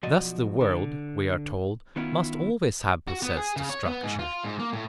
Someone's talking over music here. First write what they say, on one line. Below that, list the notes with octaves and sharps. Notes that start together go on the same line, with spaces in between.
Thus the world, we are told, must always have possessed a structure.
B1 F3 F#4 D5 D#5
D3
D#3 B3 C#4 E4 F4
F#4
B3
G#4
C#3
C#5
B3
G#2
F4
G#2
A#3
A2